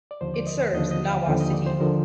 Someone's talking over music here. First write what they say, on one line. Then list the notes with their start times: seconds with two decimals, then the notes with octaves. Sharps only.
It serves Nawa City.
0.11 D5
0.21 D#2 D3 F3 C5
0.34 D5
0.47 D#5
0.74 D#2 D3 F3 D#5
0.91 D#5
1.09 F5
1.27 D#2 D3 F3 G5
1.40 D#5
1.54 D5
1.66 C5
1.80 D3 F3 A#4